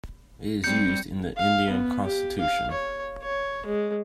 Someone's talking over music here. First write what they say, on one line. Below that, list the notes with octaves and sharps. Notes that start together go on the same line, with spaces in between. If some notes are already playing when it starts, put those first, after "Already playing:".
It is used in the Indian Constitution.
G3 C4 G6 C#7
F5
B3
G4
F5
C#5
C#5
G#3